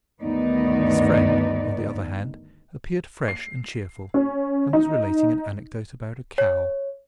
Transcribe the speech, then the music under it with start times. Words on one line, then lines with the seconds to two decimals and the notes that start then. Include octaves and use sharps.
His friend, on the other hand, appeared fresh and cheerful, and was relating an anecdote about a cow.
0.22 D2 G2 D#3 B3 D#4 D5
3.28 C7
4.14 C#4
4.73 D#4
6.38 C#5